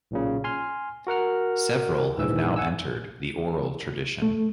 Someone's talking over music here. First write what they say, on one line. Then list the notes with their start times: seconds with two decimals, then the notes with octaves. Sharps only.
Several have now entered the oral tradition.
0.11 B1 A#2 C#3
0.44 G#5 C6 F6
1.07 F#4 A#4 F#5 F6
2.18 A#1 G#2 E3 E6
2.56 F#5 G#5 E6
4.22 A3